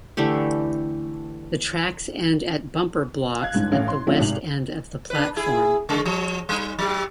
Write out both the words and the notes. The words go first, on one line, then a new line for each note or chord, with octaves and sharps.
The tracks end at bumper blocks at the west end of the platform.
D3 E3 A3 G4
F5 F#6 G#6
G1 C#2 G#2
A1 A3 C#4 F5
C6
F3 A3 C4 C#4 D#4 F4
G#1 C3 D#3 F7 F#7
D4 B4
E4 G#4
C#3 G#3
F3
G3 D#4
F#3 G4